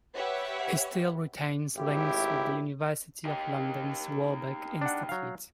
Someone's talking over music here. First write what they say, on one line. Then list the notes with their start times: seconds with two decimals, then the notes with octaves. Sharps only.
He still retains links with the University of London's Warburg Institute.
0.16 G4 B4 C#5 E5 F#5
1.77 G#1 A2 E4 G4
3.25 D#4 G4
4.81 D4 F#5
5.09 F#3 F5